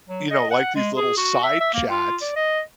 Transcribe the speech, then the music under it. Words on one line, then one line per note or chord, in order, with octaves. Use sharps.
you know, like these little side chats
F#3
D#5
F#5
G#3
G#4
F#4
E5
E5
A#3
F4
D5
D#5